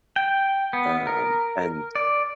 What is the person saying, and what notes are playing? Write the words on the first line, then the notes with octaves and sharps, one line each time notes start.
Um, and
G5
B3
A#4
D5